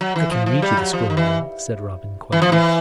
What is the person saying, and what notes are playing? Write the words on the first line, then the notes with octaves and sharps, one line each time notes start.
"I can read you the scroll, Will," said Robin, quietly.
F#3
E3
F3
F3
G3
F#3
F3
D#3
E3
E3
F3
E3